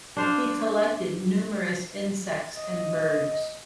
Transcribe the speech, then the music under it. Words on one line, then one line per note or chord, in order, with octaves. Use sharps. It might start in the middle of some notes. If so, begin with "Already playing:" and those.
He collected numerous insects and birds.
D4 C5 F5
D#5